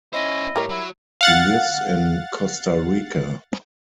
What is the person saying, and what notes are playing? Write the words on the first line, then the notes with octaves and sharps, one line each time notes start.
He lives in Costa Rica.
C#4 E4 C5 D#5
A2 G3 A#4 C#5
F#3 E4
F5 F#5 A6